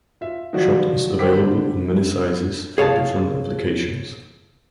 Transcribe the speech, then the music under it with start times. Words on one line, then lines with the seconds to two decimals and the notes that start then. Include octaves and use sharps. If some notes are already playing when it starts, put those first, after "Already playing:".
Shot is available in many sizes for different applications.
0.21 F4 E5
0.53 D#3 F3 F#3 F#4 D5
1.19 D3 C5 G5 D6 B6
2.78 G#4 C#5 F5 A5